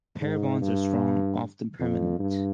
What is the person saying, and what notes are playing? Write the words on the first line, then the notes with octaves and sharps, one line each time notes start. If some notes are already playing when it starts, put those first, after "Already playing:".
Pair bonds are strong, often permanent.
G#2
G2
F2
G2